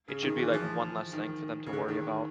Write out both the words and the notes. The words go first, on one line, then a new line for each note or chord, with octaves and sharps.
it should be, like, one less thing for them to worry about.
C#3
D#3
E3
F3
D#3
C#3
D3
D#3